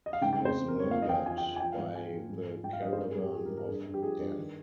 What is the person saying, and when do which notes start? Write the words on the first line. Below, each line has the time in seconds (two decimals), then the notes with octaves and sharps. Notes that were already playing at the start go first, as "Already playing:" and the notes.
He was murdered by the Caravan of Death.
0.06 D#5
0.13 F5
0.21 C#3 G5
0.33 G5
0.39 F2
0.45 C5
0.57 F2
0.68 A#4
0.74 F2
0.80 C#5
0.90 F3 F5
1.02 D#5
1.08 F3 G5
1.14 G#5
1.26 F3 G#5
1.38 G5
1.44 F3
1.56 G#5
1.60 F3 G5
1.72 F5
1.78 G#2
1.94 F3 G#5
2.12 F3
2.30 G#2
2.47 F3
2.64 G#2 G5
2.73 F5
2.82 F3 D#5
2.93 C5
2.98 G#2 A#4
3.11 G#2 G#4
3.22 G4
3.33 F3 G#4
3.46 A#4
3.50 G#2
3.57 A#4
3.67 G2 G#4
3.86 G2
3.94 G4
4.03 F3 G#4
4.19 G2
4.38 D#3